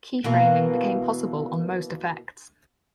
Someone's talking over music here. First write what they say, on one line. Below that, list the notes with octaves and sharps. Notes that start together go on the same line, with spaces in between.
Keyframing became possible on most effects.
B2 E3 A#3